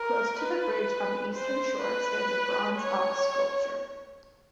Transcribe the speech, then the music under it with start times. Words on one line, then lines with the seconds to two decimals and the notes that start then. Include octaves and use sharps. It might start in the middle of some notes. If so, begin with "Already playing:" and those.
Close to the bridge on the eastern shore stands a bronze ox sculpture.
Already playing: A#4
0.40 B4
1.35 C5
1.82 B4
2.78 C#5